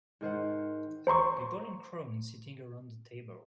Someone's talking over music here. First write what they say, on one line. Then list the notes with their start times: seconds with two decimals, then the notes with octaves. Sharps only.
People in crowns sitting around the table.
0.21 G#2 D#3 C5 F#5
1.07 C5 A#5 C6 C#6